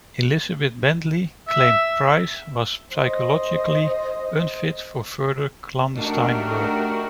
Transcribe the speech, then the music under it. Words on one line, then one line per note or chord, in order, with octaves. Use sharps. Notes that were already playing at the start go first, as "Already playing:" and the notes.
Elizabeth Bentley claimed Price was psychologically unfit for further clandestine work.
E5
C5 D#5
A3 D4 D#4 F#4 G4 A#4